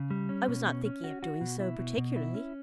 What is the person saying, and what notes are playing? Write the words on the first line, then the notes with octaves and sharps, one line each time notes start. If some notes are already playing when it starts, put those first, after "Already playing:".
"I was not thinking of doing so particularly."
Already playing: C#3
G3
C#4
B2
C#4
C#4
F#4
F#4
B2
E4
B2
B2
E4
C#4